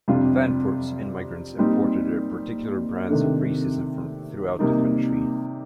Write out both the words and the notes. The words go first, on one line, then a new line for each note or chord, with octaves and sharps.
Vanport's in-migrants imported their particular brands of racism from throughout the country.
F2 C3 G3 D4 F4
A#2 G3 C4 D#4
C3 D#3 A3 D4
C3 G3 A#3 D#4